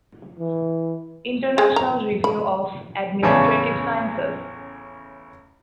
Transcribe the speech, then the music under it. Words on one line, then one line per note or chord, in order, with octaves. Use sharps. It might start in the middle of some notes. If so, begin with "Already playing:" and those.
International Review of Administrative Sciences.
E3
G#3
A#5
B5
A1 E2 C#3 C#4 D5 A5